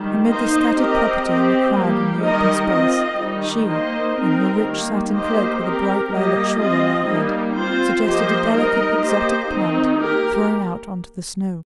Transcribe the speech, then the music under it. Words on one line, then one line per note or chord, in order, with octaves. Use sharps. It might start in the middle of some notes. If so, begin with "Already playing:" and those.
Amid the scattered property and the crowd on the open space, she, in her rich satin cloak with a bright lilac shawl on her head, suggested a delicate exotic plant thrown out onto the snow.
Already playing: D#3 G3
A#3 D#4 C5 D#5
C4 G4 A#4 D#5
C4 G4 D#5
G3 A#3 G4
D#3 G3 D#4 A#4 D#5
C4 F4 D#5
D#3 G3 D#4
A#3 D#4 C5 D#5
C4 D#4 A#4
D#3 G3 A#3
A#3 G4 C5 D#5
C4 G4 A#4
G3 A#3 G4 D#5
C4 F4 D#5
G3 A#3 D#4
C4 F4 C5
F3 A#3 G4 C5 D#5
G3 D#4 A#4 D#5
A#3 G4 C5 D#5
D#3 C4 D#4
A#3 G4 A#4